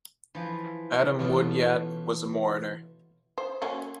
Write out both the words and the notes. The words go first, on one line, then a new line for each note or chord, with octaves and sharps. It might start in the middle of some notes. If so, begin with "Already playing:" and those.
Adam Woodyatt was a mourner.
E3 F3
B2 E3 A3 C#4 F4
C5
F#3 A#3 C#4